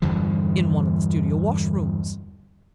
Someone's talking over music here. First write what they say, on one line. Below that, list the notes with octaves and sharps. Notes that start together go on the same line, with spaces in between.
"In one of the studio washrooms."
E2 G2 D3 F3